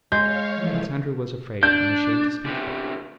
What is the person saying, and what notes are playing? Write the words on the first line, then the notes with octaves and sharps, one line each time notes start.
Prince Andrew was afraid and ashamed to speak of it.
G#3 C#5 F5 G6
E3 F3 A3
D4 G6
E2 C3